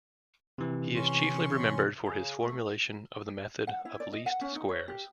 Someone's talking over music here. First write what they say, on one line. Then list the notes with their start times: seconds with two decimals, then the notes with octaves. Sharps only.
He is chiefly remembered for his formulation of the method of least squares.
0.58 C3 E3
0.95 C#4 C6 C#6
2.06 C#3 G#4
2.39 A3
3.67 F#5
3.85 E4
4.00 D5
4.12 D#5
4.26 F#5
4.41 C#4
4.56 D#4
4.69 C#5
4.88 G4